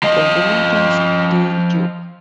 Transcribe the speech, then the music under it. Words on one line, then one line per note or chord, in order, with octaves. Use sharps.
The Wellington Steel Tube.
F3 D#5